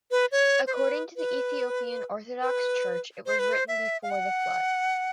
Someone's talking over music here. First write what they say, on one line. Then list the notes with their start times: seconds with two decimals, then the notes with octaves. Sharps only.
According to the Ethiopian Orthodox Church it was written before the Flood.
0.11 B4
0.32 C#5
0.67 C5
0.73 B4
1.16 B4
2.41 B4
3.26 C5
3.39 B4
3.53 C5
3.68 E5
4.03 F5
4.10 F#5